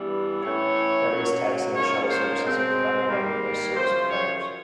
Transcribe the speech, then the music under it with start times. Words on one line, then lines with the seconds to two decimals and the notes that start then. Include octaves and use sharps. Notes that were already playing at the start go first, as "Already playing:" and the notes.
Various taxi and shuttle services are provided by numerous service providers.
Already playing: G2 E3 G3 B3
0.42 A2 E3 A3 C#4 C#5
1.09 B2 F#3 A#3 C#4
1.75 G#2 F3 A#3 C#4 C#5
2.09 C5
2.42 B2 G#3 C4
3.09 D#3 G3 A#3
3.75 F#2 C#3 F3 C5
4.09 C#5